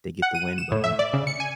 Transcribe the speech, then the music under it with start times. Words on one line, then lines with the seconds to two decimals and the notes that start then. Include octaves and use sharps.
they get the win. But, um,
0.22 F#5
0.34 D#7
0.58 E7
0.72 A2
0.84 E5
0.99 D5
1.13 C#3
1.27 C#7
1.40 G#5